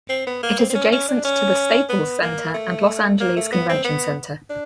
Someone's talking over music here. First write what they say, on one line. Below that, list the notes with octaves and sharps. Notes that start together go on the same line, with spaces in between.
It is adjacent to the Staples Center and Los Angeles Convention Center.
C4
B3
A#3
C4
C4
C#4
C#4
D4
C#4
B3
A#3
A3
A#3
A3
B3
C4
B3
D4